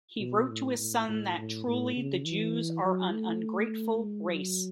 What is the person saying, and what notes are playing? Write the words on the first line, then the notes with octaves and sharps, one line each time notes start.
He wrote to his son that "truly the Jews are an ungrateful race".
B2
A2
A2
A2
A2
A2
C#3
E3
F#3
A3
G#3
F#3